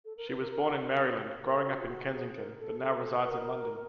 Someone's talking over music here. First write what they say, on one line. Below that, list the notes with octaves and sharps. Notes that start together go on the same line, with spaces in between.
She was born in Maryland, growing up in Kensington, but now resides in London.
A4
A#4
B4
A#4
A#4
A#4
A4
F#4
F4
F#4
G#4
A#4
A4
A4
A4
B4
A#4